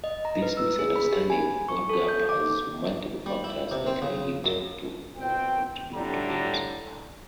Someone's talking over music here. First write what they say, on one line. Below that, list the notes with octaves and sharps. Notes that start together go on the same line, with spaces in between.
This misunderstanding or gap has multiple factors that lead to or contribute to it.
D#5
A#5
B4
E6
G#4
B5
G4
G#5
C#6
A4
G6
D6
G3
E4
C3
C4
C#3
F#2
B2 C4 G5
A2 D3 G3 D4 A#5